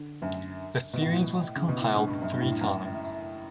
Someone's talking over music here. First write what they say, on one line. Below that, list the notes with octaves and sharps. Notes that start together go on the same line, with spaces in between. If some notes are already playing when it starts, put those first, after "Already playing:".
The series was compiled three times.
Already playing: D3
F#2
B2
A2
C#3
B2
A2
G2
G2
F#2
G2
A2
G2
F#2